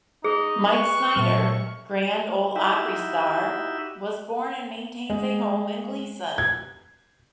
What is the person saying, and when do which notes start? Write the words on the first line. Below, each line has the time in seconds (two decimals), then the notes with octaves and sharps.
Mike Snider, Grand Ole Opry star, was born and maintains a home in Gleason.
0.24 D#4 G#4
0.69 B4 C#6
1.15 A#2 F#3 A3 F6
2.56 D#4 E4 F#4 G4 E5
5.10 G#3
6.38 G#6